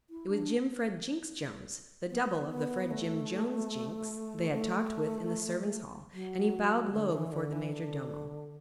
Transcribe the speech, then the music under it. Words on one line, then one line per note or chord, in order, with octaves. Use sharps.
It was Jimfred Jinksjones, the double of the Fredjim Jonesjinks they had talked with in the servants' hall, and he bowed low before the Majordomo.
E4
D4
B3
B3
A3
A3
F#3
D3
E3
D3
E3
D3